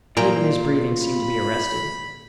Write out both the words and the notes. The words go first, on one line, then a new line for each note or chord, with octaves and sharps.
Even his breathing seemed to be arrested.
A#2 F4 D5 G5 A#5
B5